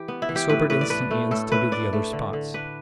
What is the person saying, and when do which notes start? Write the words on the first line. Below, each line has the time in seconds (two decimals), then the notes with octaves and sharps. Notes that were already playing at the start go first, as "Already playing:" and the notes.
He sobered instantly and studied the other spots.
Already playing: E3 G4
0.08 B3
0.22 E4
0.29 E3
0.36 G4
0.49 A2 B4
0.70 A2 B4
0.81 D5
0.90 D4 B4
1.11 A3
1.31 A2 A4
1.52 A2 B4
1.72 D4 D5
1.93 A3
2.13 D3
2.33 D3
2.54 D4 B4